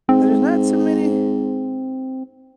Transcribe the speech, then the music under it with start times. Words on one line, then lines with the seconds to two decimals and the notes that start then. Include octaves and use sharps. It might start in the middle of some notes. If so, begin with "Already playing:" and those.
there's not too many
0.09 G#2 C4